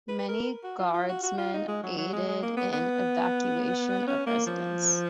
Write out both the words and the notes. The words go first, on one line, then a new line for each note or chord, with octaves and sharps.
Many guardsmen aided in evacuation of residents.
B4
B4
A#4
F#4
F4
F4
F#4
F#4
F4
D#4
G#3
F#3
F#3
G#3
G#3
A#3
B3
B3
C#4
A#3
F3